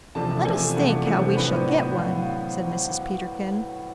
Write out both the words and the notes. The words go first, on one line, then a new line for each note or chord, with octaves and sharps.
"Let us think how we shall get one," said Mrs. Peterkin.
E2 C3 F3 A3 D4 A5
A5
E2 C3 F3 A3 D4 G#5
E2 C3 F3 A3 D4 F#5
E2 C3 F3 A3 D4 F#5
C5
A2 F#3 B3 D4 B4
C5
A2 F#3 B3 D4
A2 F#3 F5